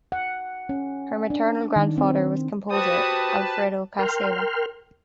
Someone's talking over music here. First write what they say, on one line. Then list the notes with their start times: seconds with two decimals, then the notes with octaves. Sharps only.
Her maternal grandfather was composer Alfredo Casella.
0.12 F#5
0.69 C#4
1.30 D4
1.76 D#3
1.98 C4
2.70 F#4 G4 B4 C5 A5 D#6
3.99 A#4 G5 C6 F6